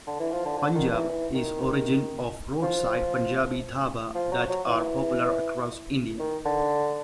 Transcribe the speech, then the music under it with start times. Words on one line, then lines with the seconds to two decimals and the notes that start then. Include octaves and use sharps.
Punjab, is origin of roadside Punjabi dhaba that are popular across India.
0.07 D3
0.20 E3
0.32 F3
0.45 D3
0.58 D3
0.75 D#3
0.92 E3
1.09 E3
1.34 D#3
2.62 F3
4.15 F3
4.32 F#3
4.49 F#3
4.66 E3
6.19 D#3
6.45 D3